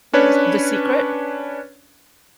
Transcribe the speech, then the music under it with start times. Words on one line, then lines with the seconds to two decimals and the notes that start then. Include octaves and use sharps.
what was The Secret
0.13 C#4 D4 B4 C#5